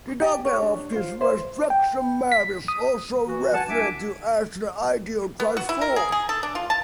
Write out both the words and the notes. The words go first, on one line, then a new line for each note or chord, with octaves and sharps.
The target of this restriction map is also referred to as the ideal transform.
G4 D5 G#5
A#4 C#5
D4
F4 C5
E4 B4 C5
G5
B6
D#6
E3 F#4
F#5 G#5 A5
C2 D4 E5 G#5 D6
B3
F#4
E4
A#4
G#4
G#4
A4
D4
F4
A5